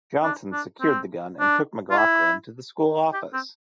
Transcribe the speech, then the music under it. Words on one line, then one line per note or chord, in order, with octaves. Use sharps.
Johnson secured the gun and took McLaughlin to the school office.
D4
D4
C4
D4
F4
E4
G4
C4